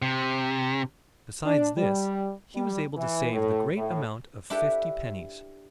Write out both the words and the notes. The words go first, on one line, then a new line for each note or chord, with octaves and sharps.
Besides this, he was able to save the great amount of fifty pennies.
C3
D4
G3
G3
E3
A2
A2
D4 E4 G4 A4 B4